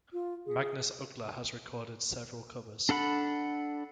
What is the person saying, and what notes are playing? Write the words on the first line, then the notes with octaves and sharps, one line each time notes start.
Magnus Uggla has recorded several covers.
F4
G#4
D4 A4 F#5 B5